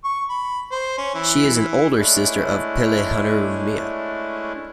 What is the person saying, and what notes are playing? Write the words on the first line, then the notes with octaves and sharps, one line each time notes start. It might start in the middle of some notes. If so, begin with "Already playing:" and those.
She is an older sister of Pele-honua-mea.
C#6
B5
C5
C#4
E3
E3
G#3 A3 C#4 D4 E4